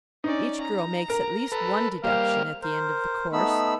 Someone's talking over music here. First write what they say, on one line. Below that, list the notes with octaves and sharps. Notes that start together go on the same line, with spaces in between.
Each girl makes at least one deduction at the end of the course.
C#4 D#4 D5
A#5
A#4
A4 B4
G3 A#3 C5 F5
A#4 C5
A3 B3 D#4 B5 E6